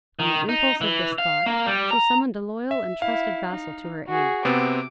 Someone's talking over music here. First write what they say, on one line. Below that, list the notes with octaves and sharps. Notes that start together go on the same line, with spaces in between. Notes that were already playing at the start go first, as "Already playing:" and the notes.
On the impulse of this thought she summoned a loyal and trusted vassal to her aid.
D#3
D#4
E3
F5
A#3
G3
A#5
E5
E4 F5
D#4
F#4 G#4
C3 B3 C4 D6